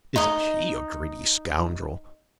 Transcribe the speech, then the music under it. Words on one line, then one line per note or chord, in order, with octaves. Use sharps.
Isn't he a greedy scoundrel?
D#4 D#5